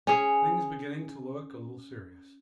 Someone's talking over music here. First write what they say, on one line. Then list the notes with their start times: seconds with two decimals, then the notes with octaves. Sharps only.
Things beginning to look a little serious.
0.07 C#4 G#4